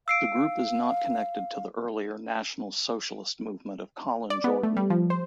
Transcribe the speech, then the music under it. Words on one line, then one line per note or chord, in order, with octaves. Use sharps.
The group is not connected to the earlier National Socialist Movement of Colin Jordan.
F5 E6 C7 D7
D5
B3
A3
G3
F3
C5